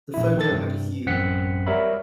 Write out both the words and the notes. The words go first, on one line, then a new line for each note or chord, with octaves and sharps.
The photo had a hue.
A#1 E4
D#3 A4 A6
G2 C3
A1 F#2 C4 F#5 B6 C#7
G3 A#4 C#5 E5 B5